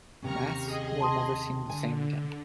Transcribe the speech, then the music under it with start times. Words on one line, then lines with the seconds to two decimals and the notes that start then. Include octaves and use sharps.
Maths will never seem the same again.
0.22 D#2 C3 C#4 A#5 C#6 F6
0.65 G#4 D#5
1.01 A5 C6 D#6
1.70 D3 G#5